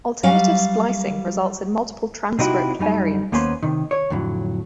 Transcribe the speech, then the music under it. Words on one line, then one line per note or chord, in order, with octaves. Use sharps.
Alternative splicing results in multiple transcript variants.
F#3 G3 F5
C3 C4 D#4 E4 F#4 G4
F#2 G3 D#4 G#5
D#2 A#3 B3 C#4 C5 C6
C3 D#3
C#5
F2 A2 D3 F#3